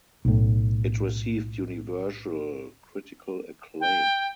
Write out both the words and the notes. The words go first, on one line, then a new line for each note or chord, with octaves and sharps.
It received universal critical acclaim.
B1 A2
G5